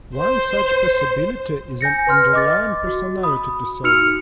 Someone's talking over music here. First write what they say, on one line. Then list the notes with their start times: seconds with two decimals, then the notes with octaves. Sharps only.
One such possibility is an underlying personality disorder.
0.16 C5
1.81 G#5 G6 A#6 C#7
2.07 B4 C6 F6
2.33 D#5 D6 A6
2.87 F#4
3.23 B5 D#6
3.83 D#4 F#4 E6 F6 C#7 F7